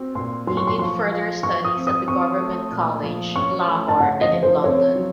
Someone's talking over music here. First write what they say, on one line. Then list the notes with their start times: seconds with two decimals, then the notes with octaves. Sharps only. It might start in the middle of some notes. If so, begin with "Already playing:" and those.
He did further studies at the Government College, Lahore and in London.
Already playing: C4 F#4
0.15 A#2 C6
0.47 F#3 C6
0.57 C#6
0.67 C6
0.79 F3 C#6
1.12 F4
1.43 F3 C#6
1.64 D#6
1.75 C4
1.87 D#6
2.07 C4 C#6
2.40 A3
2.72 A#2
3.03 F3
3.35 C#4 C#6
3.67 A3
3.88 A5
4.00 C#3 F#5
4.21 D#5
4.31 F3
4.43 C5
4.64 C4 C#5
4.96 F#3